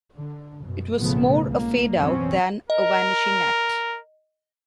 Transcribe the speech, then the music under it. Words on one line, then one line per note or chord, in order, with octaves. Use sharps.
It was more a fade-out than a vanishing act...
D3
F#2 B2
B1 A2 C#3 F3 A3 B3
C#2 A#3
F#2 B2 E3 F#3 C4 C#4
A#4 D#5